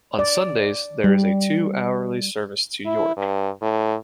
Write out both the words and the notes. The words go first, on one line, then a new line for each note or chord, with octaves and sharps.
On Sundays there is a two-hourly service to York.
D5
G3
E4
G2
A2